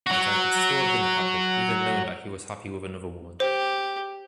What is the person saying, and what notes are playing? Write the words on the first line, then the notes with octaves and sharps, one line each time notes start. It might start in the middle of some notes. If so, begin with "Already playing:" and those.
But I could still have been happy, even knowing that he was happy with another woman.
F#3 F#4
G4 C5